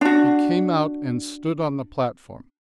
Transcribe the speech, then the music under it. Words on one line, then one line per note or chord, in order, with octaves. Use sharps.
He came out and stood on the platform...
D4 F#4